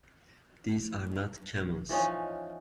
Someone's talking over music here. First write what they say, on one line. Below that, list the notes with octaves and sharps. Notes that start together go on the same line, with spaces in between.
These are not camels!
E3 F3 C#4 D#4